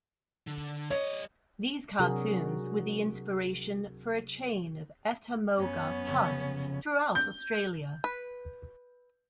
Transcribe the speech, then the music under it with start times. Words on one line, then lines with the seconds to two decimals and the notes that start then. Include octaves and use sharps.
These cartoons were the inspiration for a chain of Ettamogah Pubs throughout Australia.
0.47 D3
0.90 G3 C#5 D#5
1.99 C3 F#3 D4 F#4 G#4 A#4
5.59 F#2 B3 C#4
6.08 F1 C#3
7.15 G6
8.04 B4